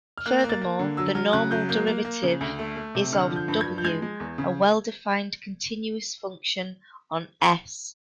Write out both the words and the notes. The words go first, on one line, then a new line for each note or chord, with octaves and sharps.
Furthermore, the normal derivative is of "w" a well-defined continuous function on "S".
F6
A#3 F#6
A#3
A6
A#3
D3
F#3 E6
F#3 F6
C#3 F#6
F#3 G6
A#3 G6
A#3
A#3
C#3
D2
A3
A3
C3
D3 F6
F3
G6
G2 G6
G#6
F3
G6
G#3 G#6
G#3
E2
C#3